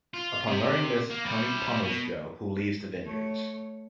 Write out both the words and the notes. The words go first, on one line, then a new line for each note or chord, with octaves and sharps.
Upon learning this, Tony pummels Joe, who leaves the vineyards.
F4
C3
A#3
G3 E4
B2
A3 C#5